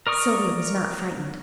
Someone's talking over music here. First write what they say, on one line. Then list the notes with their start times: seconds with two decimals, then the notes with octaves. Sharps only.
Sylvia was not frightened.
0.07 A#4 D5 C#6 D#6